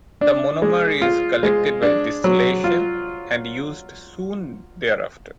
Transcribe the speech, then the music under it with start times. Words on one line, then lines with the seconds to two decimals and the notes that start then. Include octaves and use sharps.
The monomer is collected by distillation, and used soon thereafter.
0.21 D4
0.62 G#3
1.02 F4
1.43 G#3
1.82 D4
2.24 F#3
2.64 F4